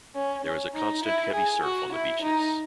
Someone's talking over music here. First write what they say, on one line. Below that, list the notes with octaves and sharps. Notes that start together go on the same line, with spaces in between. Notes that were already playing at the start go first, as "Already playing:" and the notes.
There is a constant, heavy surf on the beaches.
C#4
C#4
D#4
E4
G#4
F#4
E4
D#4